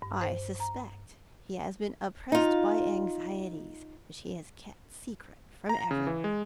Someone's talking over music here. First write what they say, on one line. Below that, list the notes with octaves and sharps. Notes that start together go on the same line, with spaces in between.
I suspect he has been oppressed by anxieties which he has kept secret from every one.
G2
C5
A#5
D#4 F4
A#5
C#3
E3
G#3